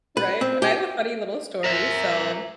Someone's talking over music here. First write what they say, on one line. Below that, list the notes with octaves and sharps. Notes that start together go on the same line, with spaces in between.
Right? And I have a funny little story, so
B4
C4
G4
A#4 E5